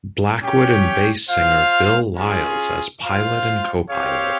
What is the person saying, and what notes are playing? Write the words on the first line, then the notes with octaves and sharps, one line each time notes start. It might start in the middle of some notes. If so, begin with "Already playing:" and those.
Blackwood and bass singer Bill Lyles as pilot and co-pilot.
C#4 G4 C#5 G5
F4 C5 F5
C#4 F4 G#4
F4 C5 F5
C4 G4 C#5 F5